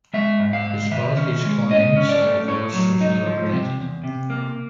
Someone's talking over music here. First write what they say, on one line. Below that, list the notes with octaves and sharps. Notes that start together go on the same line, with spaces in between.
Despite his claims, a divorce was never granted.
G#3 E5
G#2
F5
G#2
D#3 E5
C#4
G#3
G#2 D#5
C#4
D5
A3
A2 C#5
F#3
D#4
F3
C3
E2
C3
A#3